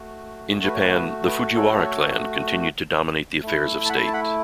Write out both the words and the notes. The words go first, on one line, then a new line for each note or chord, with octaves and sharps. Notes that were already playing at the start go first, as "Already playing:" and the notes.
In Japan, the Fujiwara clan continued to dominate the affairs of state.
Already playing: A3 F#4
B4
C#5
B4
B4
B4
A4 C#5
A3 E4
A5
F#5 B5
A5
F#5 B5